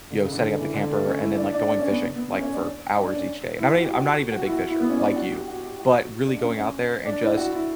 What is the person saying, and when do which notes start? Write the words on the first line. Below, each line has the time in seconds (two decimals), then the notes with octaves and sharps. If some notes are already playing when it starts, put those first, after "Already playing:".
you know, setting up the camper and then like going fishing, like, for hours each day and I'm not e I'm not even a big fisher, like you, but really going out there and just
0.10 D3
0.22 C#3
0.32 D3
0.42 D3
0.58 E3
0.74 D3
0.89 A3
1.06 C#4
1.21 E4
1.37 D4
1.52 D4
1.69 D4
1.79 C#4
1.90 B3
2.16 B3
2.32 C#4
2.42 C#4
2.53 D4
2.95 D4
3.06 D4
3.16 C#4
3.58 E4
3.74 F#4
3.85 G4
3.94 F#4
4.32 F#4
4.46 E4
4.53 F#4
4.68 E4
4.80 B3
4.89 C#4
4.98 D4
5.07 E4
5.16 F#4
5.32 G4
5.48 F#4
5.63 G4
5.79 F#4
6.27 D4
6.37 D4
6.42 C#4
6.58 C#4
7.05 D4
7.22 E4
7.37 F#4
7.53 E4